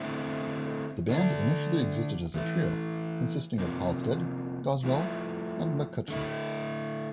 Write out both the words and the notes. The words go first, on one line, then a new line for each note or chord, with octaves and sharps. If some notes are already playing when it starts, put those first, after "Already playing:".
The band initially existed as a trio, consisting of Halstead, Goswell, and McCutcheon.
Already playing: D3 A3 C4 E4
D3 A3 D4
E3 A3 E4
C3 F3 A#3
F3 A3 E4
D3 A3 E4